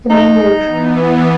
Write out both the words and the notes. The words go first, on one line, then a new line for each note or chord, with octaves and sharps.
The main move.
D#4
E3 B3